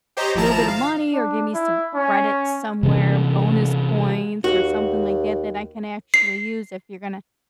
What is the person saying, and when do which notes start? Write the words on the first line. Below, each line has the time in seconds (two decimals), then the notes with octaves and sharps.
little bit of money or give me some credit somewhere, bonus points, or something like that that I can actually use if you're gonna,
0.17 G4 C5 C#5 D#5 A#5
0.35 G#1 F3 E4 A5 A#5 E7
0.68 F5
1.13 D4
1.54 E4
1.95 C#4
2.83 C3 E3 C#4
4.44 D#2 F#4
6.14 C7